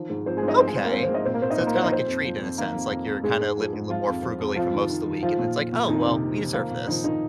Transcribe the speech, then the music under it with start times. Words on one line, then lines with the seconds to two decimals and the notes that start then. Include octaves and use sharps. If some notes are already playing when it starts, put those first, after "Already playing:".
Okay. So it's kinda like a treat in a sense, like, you're kinda living a little more frugally for most of the week, and it's like, "Oh well, we deserve this."
Already playing: D#3 F3
0.10 G#2
0.26 F3 C4 C5
0.37 G#3 G#4
0.43 G#2
0.48 D#4 D#5
0.59 F3 C4 C5
0.67 G#3 G#4
0.75 G#2 C4 C5
0.84 A#3 A#4
0.92 F3 C4 C5
1.03 C4 C5
1.09 G#2
1.14 D#4 D#5
1.25 A#2 C4 C5
1.34 A#3 A#4
1.42 A#2 C4 C5
1.51 D#4 D#5
1.58 A#2 C4 C5
1.67 A#3 A#4
1.74 F3 C4 C5
1.83 D#4 D#5
1.92 F3 C4 C5
2.08 F2
2.25 F3
2.41 F2
2.58 D#3 A#3 A#4
2.75 F2
2.91 F2
3.07 F2
3.23 G#2 G#3 G#4
3.40 G#2
3.57 F3
3.73 G#2
3.90 F3 F4
4.07 F2
4.23 F3
4.39 F2
4.56 F2 F3 F4
4.73 D#3
4.90 D#3
5.06 D#3
5.23 F3 F4
5.39 A#2
5.56 F3
5.72 A#2
5.88 F2 D#3 D#4
6.06 C3
6.21 D#3
6.38 D#3
6.54 F3 A#3
6.71 A#2
6.87 D#3 F3 D#4
7.04 D#3 F3 D#4